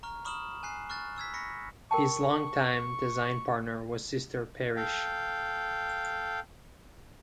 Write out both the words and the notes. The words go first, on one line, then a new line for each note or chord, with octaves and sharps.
His long-time design partner was Sister Parish.
A#5 C#6 F6
B5 C#6 D#6 F6 E7 F#7
G#5 F#6 C7
C#6 F6 F#6 A6
C#6 E6 G#6 B6
B5 C#6 A#6 B6 C#7
A#4 G5 A5 C#6
A4 F5 G5